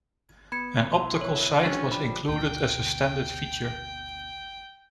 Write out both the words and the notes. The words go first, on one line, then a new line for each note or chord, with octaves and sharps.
An optical sight was included as a standard feature.
B3 B5 G#6 C#7
B1 E4 C6
C#5
G#2 D#3 F#3 C#4 D4 C#5 A6
F3 G3 B5
D2 B2 G5